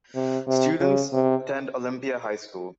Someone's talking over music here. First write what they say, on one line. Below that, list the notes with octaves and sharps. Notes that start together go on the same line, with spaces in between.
Students attend Olympia High School.
C3
C3
C#3
C3